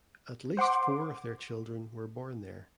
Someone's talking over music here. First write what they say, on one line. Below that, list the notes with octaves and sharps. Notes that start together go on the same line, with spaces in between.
At least four of their children were born there.
C5 F#5 C6 D6